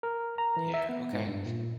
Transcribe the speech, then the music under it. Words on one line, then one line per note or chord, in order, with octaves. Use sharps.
Yeah, okay.
A#4
A#5
E3
E5
B3
G#2
G2
A#2